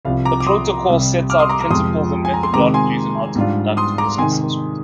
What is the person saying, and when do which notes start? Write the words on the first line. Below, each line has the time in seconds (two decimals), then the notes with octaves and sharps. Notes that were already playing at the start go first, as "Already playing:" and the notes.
The Protocol sets out principles and methodologies on how to conduct a risk assessment.
0.05 C2 C3 F3 F5
0.25 A#5 D6
0.40 D6
0.47 C6 D#6
0.88 C2 C3 G3
1.30 D6 F6
1.39 C6 D#6
1.49 A#5 D6
1.60 A#5 D6
1.71 F2 C3 F3 G#3 C6 D#6
2.25 G#5
2.34 A#5
2.43 C6
2.53 C3 D#3 G#3 C4 A#5 D6
2.74 G#5 C6
3.35 G#2 G3 D4 F4
3.77 C6 D#6
3.98 A#5 D6
4.18 C3 D#3 G#3 D#4 G#5 C6